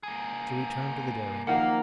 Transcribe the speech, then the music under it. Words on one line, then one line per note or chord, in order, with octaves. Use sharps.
To return to the dairying.
A#3 G#4
D#3 F3 F#3 A#3 F#5